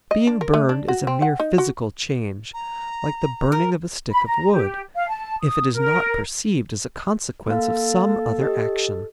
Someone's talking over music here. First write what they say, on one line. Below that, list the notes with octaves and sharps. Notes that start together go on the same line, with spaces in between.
Being burned is a mere physical change, like the burning of a stick of wood, if it is not perceived as a consequence of some other action.
D#5
D4
A#4
A3
D4
F#4
C4
F#5
D#4
F#4
A#5
A#4
B5
A#5
G4
F5
A5
D#6
A#4
A#3 A4 F5
G4 D#5